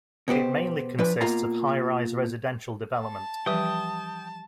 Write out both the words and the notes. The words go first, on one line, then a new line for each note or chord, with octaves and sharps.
It mainly consists of highrise residential development.
B2 B3 G4 C5
F3 D4 B4
B2 A#3 F4 F5 A#5
A5
E3 F3 G3 G4 B4 E5 G5 D#6